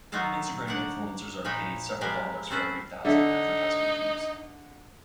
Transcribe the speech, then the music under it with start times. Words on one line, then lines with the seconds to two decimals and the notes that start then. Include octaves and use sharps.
Instagram influencers are paid several dollars for every thousand advertisement views.
0.12 D#3 F#3 D#4 F4 A4
0.67 D#3 D4 C#5 F#5
1.44 A#2 F3 D#4 B4 C#5 G5
2.01 F3 G#3 G4 A#4 B4 F5
2.50 C4 C#4 A4 B4 C5
3.05 D3 D4 D#4 E5